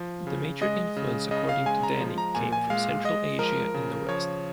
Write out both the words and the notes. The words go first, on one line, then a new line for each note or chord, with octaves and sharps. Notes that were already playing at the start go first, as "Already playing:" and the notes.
The major influence, according to Dani, came from Central Asia in the west.
Already playing: F3
C#3
G#3 D#5
C#3
C#3 D#5
F5
G#3 G#5
A#5
F3
A#5
A#2 G#5
G#5
G#3 F5
G#3 D#5
F3 A#4
C#3
F3 C#5